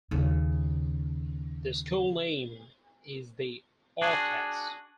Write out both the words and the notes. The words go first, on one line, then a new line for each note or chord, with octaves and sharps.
The school name is the "Orcas".
D#2 C#3
D4 F#4 G#4